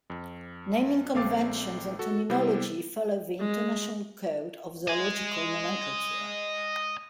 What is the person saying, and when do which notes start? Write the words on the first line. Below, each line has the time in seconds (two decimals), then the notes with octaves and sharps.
Naming conventions and terminology follow the International Code of Zoological Nomenclature.
0.10 F2
1.15 A#1 A3 C4 F5 D6 A6
1.99 F#4 A4
2.30 C3 G3 B3 E4 G4 C5
3.39 G#3
4.87 D#5 G#5